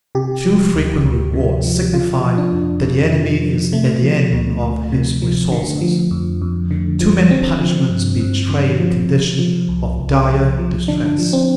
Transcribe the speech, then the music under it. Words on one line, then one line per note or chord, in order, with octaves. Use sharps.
Too frequent rewards signify that the enemy is at the end of his resources; too many punishments betray a condition of dire distress.
C3 G4
F3
D2
D2
C3
F3
C3 F4
F3
D4
F2
F2
C3
F3
C3 A3
F3
D2
D2
C3
F3
D3
F3
F2
F2
D3
F3
D3 C4
F3
G2
G2
D3
F3
C3
F3
C2
C2
C3
F3
D3 D4
F3
C4